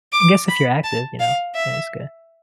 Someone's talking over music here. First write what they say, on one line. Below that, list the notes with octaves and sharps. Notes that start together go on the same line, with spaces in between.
guess if you're active, you know, then it's good.
D6
B5
A5
F5
E5